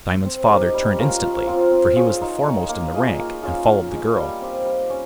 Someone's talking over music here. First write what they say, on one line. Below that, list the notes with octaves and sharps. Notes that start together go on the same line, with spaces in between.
Diamond's father turned instantly, for he was the foremost in the rank, and followed the girl.
C4
D#4 G4 A#4
G3
C#4 F4 A#4
F3
C4 F4 C5
C4
F4 G#4 C#5
D#4
G#4 C#5
A#3
F4 G#4 D#5
A#3
C#4 F4 G#4
C#4
G#4 D#5
G3
C4 G4
G3
C#4